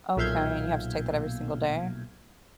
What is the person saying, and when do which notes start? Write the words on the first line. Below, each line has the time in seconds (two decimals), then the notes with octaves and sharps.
Okay, and you have to take that every single day?
0.17 B1 A#2 E5 F5 G6 G#6